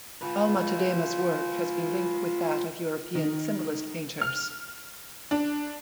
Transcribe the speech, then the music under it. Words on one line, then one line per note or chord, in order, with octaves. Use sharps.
Alma-Tadema's work has been linked with that of European Symbolist painters.
F4 B4
D#3
F6
D4